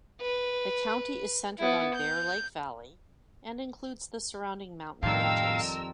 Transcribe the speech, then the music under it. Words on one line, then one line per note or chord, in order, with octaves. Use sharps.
The county is centered on Bear Lake Valley and includes the surrounding mountain ranges.
B4
B3 E4
G6
F2 A2 D#3 G3 A#4 F5 E6